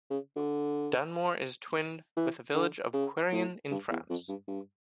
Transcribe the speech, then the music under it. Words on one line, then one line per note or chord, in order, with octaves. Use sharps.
Dunmore is twinned with the village of Querrien in France.
C#3
D3
E3
D3
C#3
A2
G2
E2
F2
G2
G2